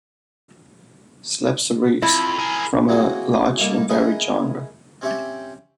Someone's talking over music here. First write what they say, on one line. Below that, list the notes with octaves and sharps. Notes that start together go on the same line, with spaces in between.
Slab serifs form a large and varied genre.
F2 E4
G#4 A#4
E3 F#3 A#3 C4 F#4 G#4
C2 D#3 A#3 D#4 A4
E4 G#4 A#4 B4 D#5
C4 C#4 G4 C#5 E5 G5